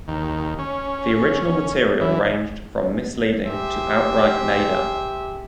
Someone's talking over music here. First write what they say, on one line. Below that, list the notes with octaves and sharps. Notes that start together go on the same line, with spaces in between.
The original material ranged from misleading to outright made up.
D#2
C#4
E3
G4 G#4 C5 E5